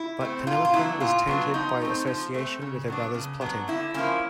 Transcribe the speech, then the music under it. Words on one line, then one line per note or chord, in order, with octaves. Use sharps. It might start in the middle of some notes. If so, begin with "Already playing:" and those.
But Penelope was tainted by association with her brother's plotting.
Already playing: E4
A3 C4
A#2 F4
F4
F#3 B3 D4 E4
A#2 F4
F#3 B3 D4
F3 D#4
A3 C4
F3
A3 C4
C#3
F#3 B3 D4
C#3
F#3 B3 D4
D3 E4
F3 A#3 C#4 E4